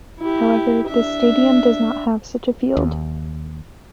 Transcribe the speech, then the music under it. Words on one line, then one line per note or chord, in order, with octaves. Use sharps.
However, this stadium does not have such a field.
E4 G4
D4 E5
D#2